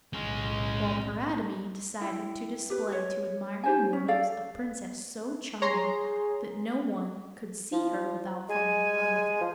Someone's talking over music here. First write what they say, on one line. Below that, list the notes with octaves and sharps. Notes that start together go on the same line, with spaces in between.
While Paridamie decided to display to admiring mortals a Princess so charming that no one could see her without falling in love with her.
B1 A2 G#3 C#4
E4 G5
G4 B4
C#5
G4 C5 G#5
C#4
A4 D5 F5
G#4 C#5 A#5 C6
F3
G#3 G#5
F3